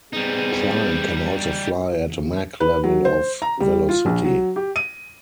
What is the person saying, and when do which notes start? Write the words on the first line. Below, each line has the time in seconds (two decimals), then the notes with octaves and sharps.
Prime can also fly at Mach-level of velocity.
0.13 G3 B3 C4 D#4 G#4
2.60 B4
2.84 F#3
3.05 C5
3.42 A#5
3.60 G3
3.89 F4
4.06 A#1
4.25 F#3
4.56 G4
4.76 D#7